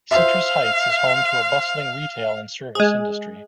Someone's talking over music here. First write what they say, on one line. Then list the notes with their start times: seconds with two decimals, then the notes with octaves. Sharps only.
Citrus Heights is home to a bustling retail and service industry.
0.11 C5 E5 F5
2.75 G#3 G#4